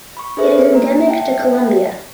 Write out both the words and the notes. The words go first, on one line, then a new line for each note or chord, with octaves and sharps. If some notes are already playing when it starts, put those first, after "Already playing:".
It is endemic to Colombia.
B5 C#6
D4 G#4 A4 B4 C5 E5
A#3 A#5
E5 F#5 G5 A5